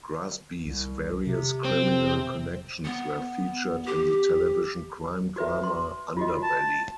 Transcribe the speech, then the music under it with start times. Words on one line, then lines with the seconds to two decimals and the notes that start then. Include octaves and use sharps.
Grassby's various criminal connections were featured in the television crime drama "Underbelly".
0.66 C2
1.26 C3
1.65 C4
2.85 B3
3.86 G4
5.36 F#4 B4 E5
5.63 C6
6.17 F4 F#4 D#5
6.42 A5